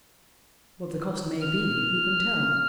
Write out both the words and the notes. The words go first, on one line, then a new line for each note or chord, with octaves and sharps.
What the cost may be, who can tell?
F6